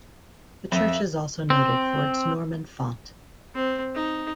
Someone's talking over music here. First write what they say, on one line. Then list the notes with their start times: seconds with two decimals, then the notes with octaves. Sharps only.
The church is also noted for its Norman font.
0.72 F2 E5
1.50 C4
3.55 C4
3.95 D#4